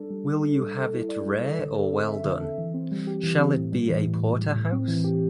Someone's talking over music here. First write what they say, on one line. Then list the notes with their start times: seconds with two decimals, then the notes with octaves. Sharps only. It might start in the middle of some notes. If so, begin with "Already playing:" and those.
Will you have it rare or well-done? Shall it be a porterhouse?
Already playing: G3 D4 A4
0.10 G3
0.27 G3
0.43 A4
0.60 G3
0.77 A4
0.93 E4
1.09 D5
1.26 G3
1.43 A4
1.59 D3
1.76 A4
1.91 C4
2.08 E5
2.24 D3
2.41 A4
2.58 E3
2.74 C4
2.91 G3
3.07 G4
3.23 E3
3.41 C4
3.56 A2
3.72 G3
3.89 E3
4.06 A2
4.23 A2
4.39 G3
4.55 A2
4.72 C4
4.88 E3
5.04 G4